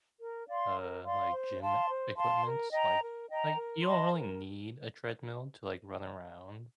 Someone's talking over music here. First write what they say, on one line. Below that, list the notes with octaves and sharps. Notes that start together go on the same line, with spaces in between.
uh, like, gym e equipments? Like like, you don't really need a treadmill to, like, run around.
A#4
D5 F5 C6
A#4
D5 F5 C6
C5
F5 A5 C6
C5
F5 A5 C6
A#4
D#5 G5 A#5
A#4
D#5 G5 A#5
A#4
D#5 A5 C6
A#4